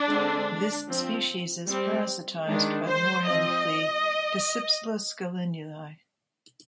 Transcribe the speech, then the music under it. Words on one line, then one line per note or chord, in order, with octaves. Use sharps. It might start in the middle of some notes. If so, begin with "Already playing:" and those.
This species is parasitised by the moorhen flea, "Dasypsyllus gallinulae".
Already playing: D4
D3 G#3 C4
F3 C4
G3 C4
D#3 G#3 D4
C5
F3 C4 D#5